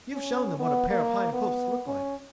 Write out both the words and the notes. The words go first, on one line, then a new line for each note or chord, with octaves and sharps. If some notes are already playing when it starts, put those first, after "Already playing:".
"You've shown them what a pair of hind hoofs look like."
C#4
B3
A#3
B3
C#4